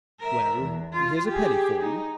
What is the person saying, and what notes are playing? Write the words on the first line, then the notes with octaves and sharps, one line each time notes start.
"Well, here's a penny for you."
A#4 E5
E2
F4
G4 G#4
D#4